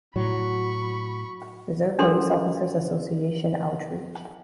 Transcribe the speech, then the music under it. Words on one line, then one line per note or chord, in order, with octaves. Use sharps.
Reserve Police Officers Association Outreach.
A2 F#3 B5 C#6
C#4 D4 G4 A4 A#4 C6